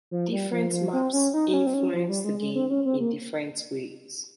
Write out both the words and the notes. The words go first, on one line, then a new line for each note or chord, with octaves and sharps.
Different maps influence the game in different ways.
F3
G3
F3
F3
C4
C#4
D#4
D#4
C#4
C4
C#4
F3
G3
G#3
G#3
C4
C#4
C4
A#3